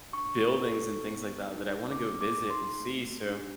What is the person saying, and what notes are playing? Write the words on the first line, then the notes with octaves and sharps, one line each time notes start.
buildings, and things like that, that I wanna go visit and see, so,
D4 C#6
F#4 A4
B3
D#4 G#4
B3 D6
D6
D#4 G#4
C6
A3
D4 G4